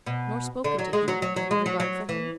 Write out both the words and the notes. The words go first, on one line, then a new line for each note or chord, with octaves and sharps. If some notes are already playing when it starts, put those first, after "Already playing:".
"Nor spoken to him--of your regard for him?"
B2
D3
F#3
G#3
F#3
F#3
F#3
G#3
F#3
F#3
E3